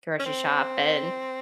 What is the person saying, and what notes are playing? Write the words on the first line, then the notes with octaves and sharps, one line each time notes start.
grocery shop and
C#4
C4